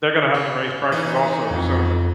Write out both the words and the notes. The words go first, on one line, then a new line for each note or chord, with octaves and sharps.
they're gonna have to raise prices also. So,
C#3
E3 D#4
F2